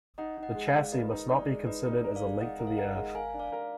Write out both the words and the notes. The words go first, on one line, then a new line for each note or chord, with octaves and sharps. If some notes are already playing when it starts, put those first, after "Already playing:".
The chassis must not be considered as a link to the Earth.
D#4 D#5 F#5
D#4
D#5 F#5
G#3
D5 F5
G#3
A#4 B4 D#5
D#4
D#4 D5
G#3
D#4 B4
D#4
D5
A#4
D5 F5
G#3
D#4 D#5 F#5
A#4
F5
A#4 D#5 F#5
G#3
A#4 F5 G#5
D4
D5 F5
A#4 F5